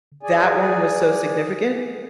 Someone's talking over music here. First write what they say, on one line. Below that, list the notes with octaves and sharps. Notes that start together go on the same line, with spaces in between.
that one was so significant,
G#4 D5 G#5